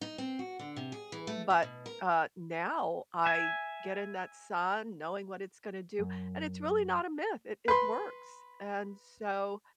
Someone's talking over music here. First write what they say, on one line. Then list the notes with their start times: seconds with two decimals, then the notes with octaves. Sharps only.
but, uh, now I get in that sun knowing what it's gonna do, and it's really not a myth, it it works, and so
0.01 D#4
0.18 C4
0.39 F#4
0.59 D3
0.76 C3
0.92 G#4
1.12 E3
1.27 A3
1.50 E5
1.63 B2
1.86 A#4
3.26 E5 G#5
5.99 F#2
7.68 B4 C6